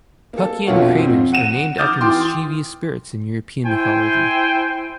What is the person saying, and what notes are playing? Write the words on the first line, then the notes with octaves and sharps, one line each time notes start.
Puckian craters are named after mischievous spirits in European mythology.
A#3 A4
A#1 F2 B2 F4 C#5 F#5
F2 C4
F#5 D#7 E7
D6 D#6 F6 G6 A6
E3 G5 C6
E4 C5 G5 G#5